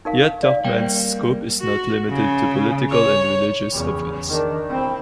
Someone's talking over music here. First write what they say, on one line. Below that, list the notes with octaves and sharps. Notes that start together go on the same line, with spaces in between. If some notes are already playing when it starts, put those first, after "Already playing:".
Yet Tuchman's scope is not limited to political and religious events.
D#4 A#4 F5
D5 F5
G3 A#3 C5 G5
F#4
C#3
C#5
E2 C#3
D#3 D4
C4 E4